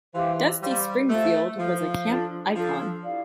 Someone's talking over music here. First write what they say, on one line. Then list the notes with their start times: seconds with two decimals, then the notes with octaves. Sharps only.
Dusty Springfield was a camp icon.
0.14 E3 G4 C5 F5 C6
0.62 G3 G4 C5 F5 C6
1.10 A3 F4 A4 C5 F5
1.58 F3 F4 A4 C5 F5
2.07 D4 F4 A4
2.55 F3 D4 F4 A4
3.04 E4 G4 D5 F5